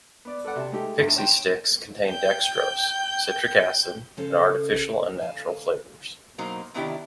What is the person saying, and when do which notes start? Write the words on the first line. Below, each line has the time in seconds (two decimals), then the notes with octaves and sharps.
Pixy Stix contain dextrose, citric acid, and artificial and natural flavors.
0.25 B3 D5
0.45 A4 B4 D5 F#5
0.56 C3 A5
0.72 G#3 A3 D#4 G4 A4
0.99 G#1 E2 D3
1.16 C#5 G5 C6
2.07 G5 G6
4.17 C#3 C#4 A4 C5
5.21 D2 F5 G#5 A5
6.38 B2 F#3 A#3 D#4 C5
6.74 C3 D#3 B3 D4 E4 G4